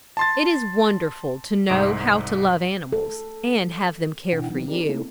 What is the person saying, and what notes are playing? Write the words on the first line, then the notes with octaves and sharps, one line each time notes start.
It is wonderful to know how to love animals, and have them care for you.
A5 C6 A6
C2 G#2 A#5 D#6 D7
A4
B2 E3 D4 E4 F#5 G5
E3 F#3 B3 C4 D#4
C4 D#4 G4 G#4 A#4 D5
A3 A#3 C4 D#4 E4 A4